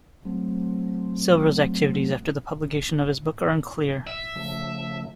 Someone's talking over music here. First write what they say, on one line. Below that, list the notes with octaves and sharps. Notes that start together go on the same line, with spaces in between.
Silver's activities after the publication of his book are unclear.
F#3 A3 C4
E5
C#3 F3 A3